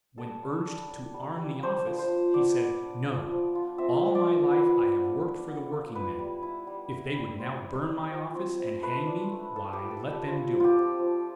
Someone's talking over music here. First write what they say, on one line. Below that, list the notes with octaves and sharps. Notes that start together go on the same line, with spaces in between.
When urged to arm the office, he said, "No; all my life I have worked for the workingmen; if they would now burn my office and hang me, why, let them do it."
G3 A4
G3
D4
D4
G3
G3
D4 C5
F3
C5
F3
B3 D5
B3
D4
F3
F3
F4
C4 E5
F3
D5
F3
B3 B4
B3
B3
D4
B3
F4
E4 B4
G3
E4
G3
E4
E4
C4 C5
E4
E4
F3
C4
C4
A3 B4
D4
A3
A3 A4
G4
F4
A4
D4
G4
F3 F4
C4
F4 G4
C4
F3